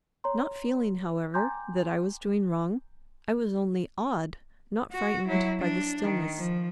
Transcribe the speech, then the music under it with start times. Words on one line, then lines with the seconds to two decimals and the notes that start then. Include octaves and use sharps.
Not feeling, however, that I was doing wrong, I was only awed not frightened by the stillness.
0.24 C#5 A#5 C6
1.34 G5 G#5 A#5 C6 D6 G6
4.92 F#4
5.28 F#3 E4
5.60 D4
6.04 D#3
6.38 F3